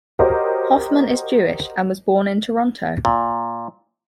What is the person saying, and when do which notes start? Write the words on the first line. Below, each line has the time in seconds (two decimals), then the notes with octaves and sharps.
Hoffman is Jewish, and was born in Toronto.
0.19 F#4 G4 A#4 C5 C#5 D#5
3.05 A#2